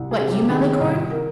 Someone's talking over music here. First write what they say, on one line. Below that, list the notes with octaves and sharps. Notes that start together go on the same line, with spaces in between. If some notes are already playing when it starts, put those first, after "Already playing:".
"What, you, Malicorne?"
Already playing: C2
G#4
C3
G4
D#3 G#4
C2
A#4